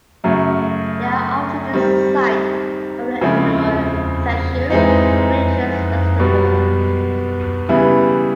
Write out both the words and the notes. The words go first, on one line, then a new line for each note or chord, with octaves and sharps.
They are often the site of an annual "tsechu" or religious festival.
F#2 C#3 F#3 A3
D#3 G3 C4
C#3 F3 G#3 C4 E4
G#2 E3 G#3 C4 D#4
B2 G3 B3
C#3 E3 G3 B3 E4